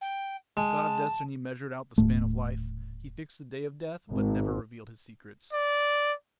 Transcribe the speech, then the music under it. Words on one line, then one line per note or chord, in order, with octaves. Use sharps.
The god of destiny measured out the span of life: he fixed the day of death, but never revealed his secrets.
G5
G#3 A5
D#1 A2 A3
G#1
D5